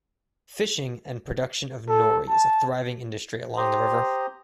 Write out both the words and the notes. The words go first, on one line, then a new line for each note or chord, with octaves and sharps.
Fishing and production of nori is a thriving industry along the river.
A4
A5
G4 C5 A#5 C6 D#6